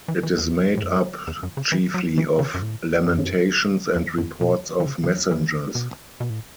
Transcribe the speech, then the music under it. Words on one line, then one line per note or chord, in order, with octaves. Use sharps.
It is made up chiefly of lamentations and reports of messengers.
E3
E3
E2
A2
F#2
E2
F#2
C#3
E3
F#3
E3
C#3
F#2
A2
F#2
E2
F#2
B2
E3
C#3
C#3
E3
E3
B2
B2
A2